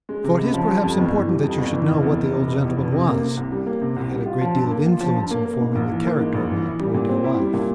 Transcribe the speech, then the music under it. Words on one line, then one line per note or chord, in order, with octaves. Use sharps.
For it is perhaps important that you should know what the old gentleman was; he had a great deal of influence in forming the character of my poor dear wife.
G#3
C3
C#2
F3
G3
F2
G1
E3
G3
F2
G1
E3
F1
E2
F1
C3
F1
E2
F1
C3
A#3
C3
C2
G3
A#3
C3
C2
G3
F4
F3
G2
A#3
F4
F3
G2
A#3
A#3
G#2
A#1
E3
A#3
G#2
A#1
E3
E4
G3
A#2
C4
E4
G3
A#2